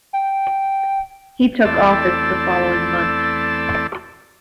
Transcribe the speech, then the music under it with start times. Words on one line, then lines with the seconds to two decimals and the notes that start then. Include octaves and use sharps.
He took office the following month.
0.13 G5
1.65 E2 A3 C4 A4 D5 E6